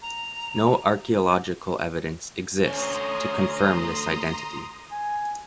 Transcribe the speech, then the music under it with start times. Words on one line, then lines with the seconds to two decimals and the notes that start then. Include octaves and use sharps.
No archaeological evidence exists to confirm this identity.
0.02 A#5
2.65 D2 C#4 A#5 C6 D#6
4.92 G#5